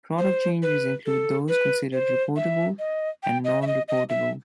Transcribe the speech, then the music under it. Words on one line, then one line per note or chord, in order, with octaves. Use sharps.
Product changes include those considered reportable and non-reportable.
C5
B4
A4
B4
C5
E5
D#5
G5
D#5
E5
D#5
D#5
E5